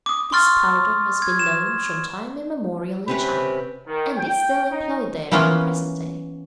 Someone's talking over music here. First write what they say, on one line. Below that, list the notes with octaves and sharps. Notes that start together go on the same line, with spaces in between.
This powder has been known from time immemorial in China, and is still employed there in the present day.
D6 D#6
C6 C#6 F6 A6
G#6
E7
C3 C#4 B4 B5
D#3
G5
D#4
E3 A#3 B3 C#4 F4